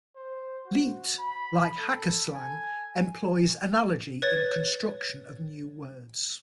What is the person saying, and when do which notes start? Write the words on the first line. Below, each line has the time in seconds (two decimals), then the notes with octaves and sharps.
Leet, like hacker slang, employs analogy in construction of new words.
0.16 C5
0.66 F#4
1.19 B5
1.79 A4
2.34 G#5
4.22 B4 C#5 A6